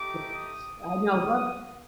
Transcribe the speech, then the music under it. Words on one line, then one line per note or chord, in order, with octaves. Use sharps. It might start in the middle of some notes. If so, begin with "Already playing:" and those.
Yes. I know lotta
Already playing: A3 D#4 G4 D6
D#6
D#6